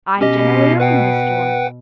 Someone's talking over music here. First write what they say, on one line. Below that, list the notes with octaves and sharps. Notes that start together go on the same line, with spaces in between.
I generally opened the store.
B2 C#4 G4 D#5
B4 F#5 G5